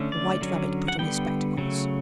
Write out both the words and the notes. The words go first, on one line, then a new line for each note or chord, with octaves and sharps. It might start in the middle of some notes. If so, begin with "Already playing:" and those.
The White Rabbit put on his spectacles.
Already playing: D3 A3 C#4
D5
D3 F#3 C#4
F#5
D3 G3 B3 G5
C#3 F#3 A3